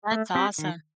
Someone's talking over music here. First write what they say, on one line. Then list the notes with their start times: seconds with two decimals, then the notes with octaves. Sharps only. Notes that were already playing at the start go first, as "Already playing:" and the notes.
That's awesome.
0.11 A3
0.35 C4 G4 C5
0.58 D#3